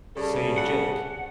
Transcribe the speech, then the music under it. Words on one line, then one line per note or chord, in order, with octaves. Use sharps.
"Say, Jake?"
C#3 G3 A4 D5 A5
F#5